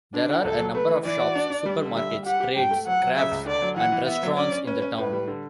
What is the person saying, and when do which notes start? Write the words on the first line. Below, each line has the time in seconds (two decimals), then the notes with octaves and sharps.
There are a number of shops, supermarkets, trades, crafts and restaurants in the town.
0.14 D3 D4
0.30 F#4
0.44 C#2 A4
0.59 F#3
0.75 A3 B4
0.89 E3
1.05 E3 D5
1.20 F#4
1.35 D4
1.50 D4
1.66 G3
1.81 D3
1.95 G3 E5
2.11 G3
2.26 G4 F#5
2.40 G4
2.56 G2 G5
2.71 A3
2.87 F#3 F#5
3.02 F#3
3.16 C#3 E5
3.31 C#2
3.46 D3 D5
3.62 F#3
3.76 E3 F#5
3.92 E3
4.06 B3 E5
4.23 F#3
4.37 C#4 D5
4.52 C#4
4.67 C#4 B4
4.82 C#4
4.98 A2 B4
5.12 G3
5.28 D3